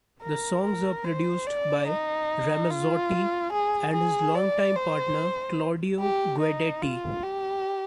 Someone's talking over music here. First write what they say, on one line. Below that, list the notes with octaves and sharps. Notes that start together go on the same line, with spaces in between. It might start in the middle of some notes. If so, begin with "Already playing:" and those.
The songs are produced by Ramazzotti and his longtime partner Claudio Guidetti.
A#4
A#4
C5
D5
D#4
F4
G#4
G#4
D5
C5
G4
D#4
F4
G4